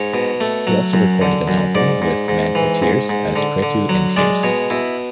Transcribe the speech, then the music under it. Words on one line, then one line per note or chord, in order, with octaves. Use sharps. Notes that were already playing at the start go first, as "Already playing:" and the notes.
He also recorded an album with Manfred Thiers as Cretu and Thiers.
Already playing: G#2 C#5
B2
A3
F#3
F#2
D3
F#2
G#2 D5
G#2
G#2
E3
G#2
G#2
D3
D3
F#3
G#3 D5
B2 C#5
B2 E4